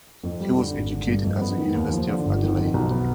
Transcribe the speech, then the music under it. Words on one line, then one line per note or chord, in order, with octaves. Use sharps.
He was educated at The University of Adelaide.
F2
G3
D3
G#1
D3
G2
F2
B3
D#3
D#2
F3
D3
G1
D#3
F2
B1
B3